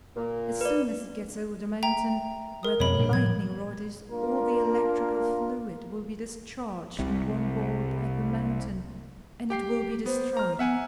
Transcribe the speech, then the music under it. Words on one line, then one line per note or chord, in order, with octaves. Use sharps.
As soon as it gets over the mountain, where that lightning rod is, all the electrical fluid will be discharged in one bolt at the mountain, and it will be destroyed!
A#2 A#3
B4 D5
E5 G5 A#5
A#4 D#6
F2 B2 C4 C#5 B5
A#2 G3 D4
A2 F3 G3 G#6
A#3 D4 F4 A#4
C2 C3
G4 G5 C7
B3 C5
A#5 F6
B3 E5 F#5 G#5